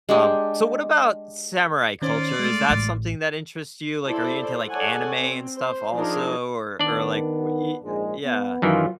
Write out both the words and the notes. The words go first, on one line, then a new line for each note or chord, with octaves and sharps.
um so what about samurai culture, is that something that interests you, like, are you into, like, anime and stuff, also, or or, like, wh i yeah,
G#3 D4 G4
D#3 C#4 F4 C5 D5
G#3 A3
A1
E4 A4 C5 D5
G#4 A4 C#5 D5 F#5 G#5
C4
C5
F3 D4 D#4 G#4 A#4
D#3 B3 D4 D5
A#1 G#2 G#3
B3
F#2 D#3 E3 F#3 F4